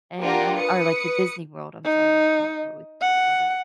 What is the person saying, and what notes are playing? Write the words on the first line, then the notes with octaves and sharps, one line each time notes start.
and I'm li or, like, to Disney World, I'm sorry. Not Flori Florida.
A#3 D4 F4 G4 A#4 F#5
B4 D#6 C#7
D#4
F#5